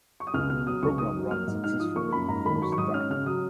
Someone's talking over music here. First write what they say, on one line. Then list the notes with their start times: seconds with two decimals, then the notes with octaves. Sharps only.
The program ran successfully the first time.
0.20 C#6
0.27 D#6
0.34 C#2 F6
0.50 B2 F6
0.67 F#3 D#6
0.83 C#2 C#6
0.98 D#4 D#6
1.16 F#3
1.31 A#3 F6
1.47 G#2
1.64 D#4 F6
1.80 F3 D#6
1.96 A#3 C#6
2.12 F#2 B5
2.28 G#2 A#5
2.45 D#3 B5
2.62 F#3 C#6
2.72 C#6
2.78 G#2 D#6
2.94 C#4 F6
3.10 C#3 F6
3.26 F#3 D#6